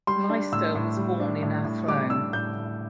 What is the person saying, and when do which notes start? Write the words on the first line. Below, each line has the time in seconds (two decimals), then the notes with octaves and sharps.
Lyster was born in Athlone.
0.07 G3 C6
0.29 D4
0.52 A2 E6
0.75 A2
0.97 G3
1.20 D4
1.43 A2
1.65 A2
1.88 G3 D6
2.10 D4 E6
2.33 A2 G6
2.55 A2